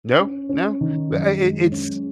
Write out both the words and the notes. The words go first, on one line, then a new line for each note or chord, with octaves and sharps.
No, no. But, I I it it's
C#4
C#4
D#3
F#2
G#3
C#4